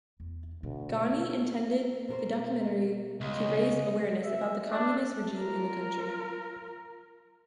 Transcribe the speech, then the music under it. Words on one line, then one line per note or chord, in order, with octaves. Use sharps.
Ghani intended the documentary to raise awareness about the Communist regime in the country.
E2
D2 B2 G#3
B2 A#4 C5
C#2 C3 C#4 D#5
E5
D4
F4 A#4